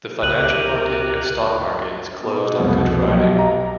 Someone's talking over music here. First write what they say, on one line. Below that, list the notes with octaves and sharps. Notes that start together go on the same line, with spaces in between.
The financial market and stock market is closed on Good Friday.
C#2 G4 A#4 F#6 D#7 F#7
B2
C2 F2
B1 G4 D#5
A#5